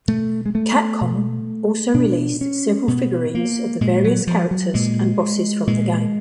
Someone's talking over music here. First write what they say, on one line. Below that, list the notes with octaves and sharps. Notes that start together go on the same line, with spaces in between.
Capcom also released several figurines of the various characters and bosses from the game.
B2 A3
G#3
A3
B2
B2 D4
C#4
B2 B3
A#3
A#2 G#3
F#3
F3
F#3
A#2 G#3
A#2 G#3